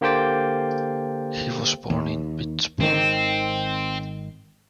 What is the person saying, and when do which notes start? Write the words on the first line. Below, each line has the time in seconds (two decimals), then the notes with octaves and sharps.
He was born in Pittsburgh.
0.01 D3 A#3 G4 C5 G5 A6
1.90 D#2
2.81 G#1 D#3 C4